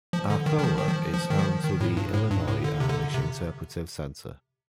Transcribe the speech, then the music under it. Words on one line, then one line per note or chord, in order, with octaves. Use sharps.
Arcola is home to the Illinois Amish Interpretive Center.
F3
D3
D#3
D#3
F3
D#3
F3
F3
D#3
F3
D#3
A2
G2
A2
G2
A2
D3
C3
D3
C3